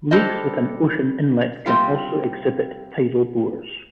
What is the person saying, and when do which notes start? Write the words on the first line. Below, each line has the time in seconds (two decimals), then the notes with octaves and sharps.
Lakes with an ocean inlet can also exhibit tidal bores.
0.11 G3 D4 A4 C5 D#5
1.66 C3 G3 C4 F4